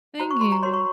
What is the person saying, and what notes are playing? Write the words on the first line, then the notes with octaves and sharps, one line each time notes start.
Thank you.
F#4 C5 A#5
C#6
C6
A#5
F#4 A#4 C#5 C6
C#6